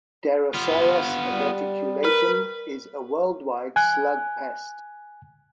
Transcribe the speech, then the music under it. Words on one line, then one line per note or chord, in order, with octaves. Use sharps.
"Deroceras reticulatum" is a worldwide slug pest.
B3 F4
G3
A#4 B4
G#5 F#6